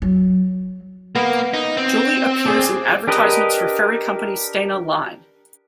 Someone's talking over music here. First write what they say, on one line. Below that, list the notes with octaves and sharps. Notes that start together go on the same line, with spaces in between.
Joly appears in advertisements for ferry company Stena Line.
F#3
A#3 B3
D#4
C4
D4 G#4 D5
D4 G4 A#4 B4 D#5